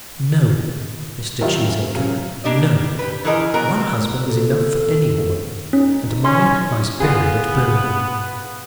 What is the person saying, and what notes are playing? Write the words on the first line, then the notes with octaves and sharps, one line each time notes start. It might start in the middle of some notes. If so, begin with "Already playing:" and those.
"No, Mr. Cheesacre; no. One husband is enough for any woman, and mine lies buried at Birmingham."
D#3 F#3 G3 E4 F4
F#2
C#3 F#3
A#3 D4 G4 D5 D#5
G3
G4 B4
E3 F3 G#4 A#4 C#5 D#5
F#3 B3 F#4 A#4
C4
A4
C#4 D#4
C#4 C6
B3 F4 G#4